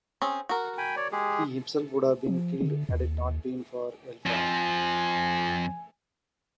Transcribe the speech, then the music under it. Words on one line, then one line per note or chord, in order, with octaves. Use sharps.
He himself would have been killed had it not been for Elfhelm.
C4 C#4 G#4
F#4 A#4
G5 G#5 B5
C#5 D5
G#3 G4 G#4
F3
D3
D#2
F2 F3 G#5